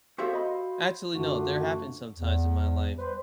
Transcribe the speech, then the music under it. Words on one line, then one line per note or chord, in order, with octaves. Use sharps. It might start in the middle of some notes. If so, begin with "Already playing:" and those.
actually, no, there have been some times in my life
F#4 G4 A4 C5 E5 F5
D#5 B5
F#2 D3 A3 D4 F4 F#4
E2
G3 B4 C5